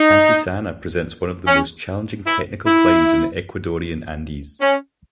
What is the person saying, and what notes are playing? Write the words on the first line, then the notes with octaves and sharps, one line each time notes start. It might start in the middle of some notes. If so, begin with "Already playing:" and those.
Antisana presents one of the most challenging technical climbs in the Ecuadorian Andes.
Already playing: D#4
C#4
E4
E4
C#4